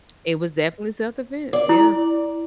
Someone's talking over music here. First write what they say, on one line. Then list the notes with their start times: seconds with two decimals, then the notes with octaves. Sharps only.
It was definitely self-defense. Yeah.
1.53 D5
1.69 E4